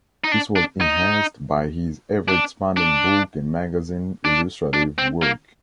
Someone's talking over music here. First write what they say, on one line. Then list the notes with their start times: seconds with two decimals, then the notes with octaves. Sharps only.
This was enhanced by his ever expanding book and magazine illustrative work.
0.24 D#4
0.32 D4
0.56 D4
0.81 D#4
2.28 D4
2.77 D4
4.25 D4
4.73 D4
4.98 C4
5.23 A#3